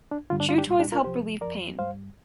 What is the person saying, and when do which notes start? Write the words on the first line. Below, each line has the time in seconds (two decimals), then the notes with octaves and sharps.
Chew toys help relieve pain.
0.11 D4
0.30 G2 D3 G3 F4
0.40 D4
0.49 F4
0.58 D4 G4
0.67 C2 A#2 G3
0.80 D4 G4
0.92 F4 A#4
1.04 C2 C3 F3 G4 C5
1.41 F2 F3 A#4 D5
1.78 G2 G3 C5 F5